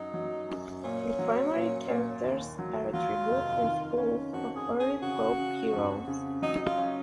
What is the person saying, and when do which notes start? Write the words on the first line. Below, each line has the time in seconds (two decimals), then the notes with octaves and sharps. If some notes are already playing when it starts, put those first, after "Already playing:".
The primary characters are a tribute and spoof of early pulp heroes.
Already playing: F#2 F#3 D#4
0.14 F#3
0.49 F#2
0.84 A#2 C#4
1.19 F#3
1.54 A#2
1.88 A#2
2.23 D#2
2.59 F#3
2.94 F#3 F4
3.29 F1
3.63 D#3
3.98 C#4
4.33 F2 F#4
4.56 G#4
4.68 C#4
4.79 G#4
5.02 C#3 F#4
5.37 C#3
5.73 F2
6.08 C#3
6.42 F#3 D#4
6.66 F4
6.77 C#4